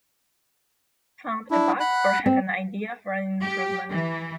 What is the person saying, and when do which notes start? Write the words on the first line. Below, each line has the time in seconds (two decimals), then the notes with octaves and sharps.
Found a bug, or have an idea for an improvement?
1.51 D4 E4
1.80 F#5 B5 F#6
2.26 C4
3.41 G4
3.89 E3